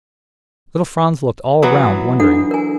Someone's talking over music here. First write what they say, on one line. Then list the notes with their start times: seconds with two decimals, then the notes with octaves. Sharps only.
Little Franz looked all round, wondering.
1.62 E3 F#3 B3
2.20 D4 A4 F#5
2.51 A#4 G#5